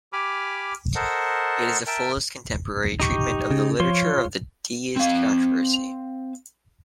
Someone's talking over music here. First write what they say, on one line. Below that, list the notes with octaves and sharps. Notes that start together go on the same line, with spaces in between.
It is the fullest contemporary treatment of the literature of the deist controversy.
G4 G#5 B5 D6 F6
A4 A#4 C5 D#5 F#5 A5
A#4 E5 G5 A5
D#4 G4 C#6
C#3
F3 F4 C#5 C6
C4 F5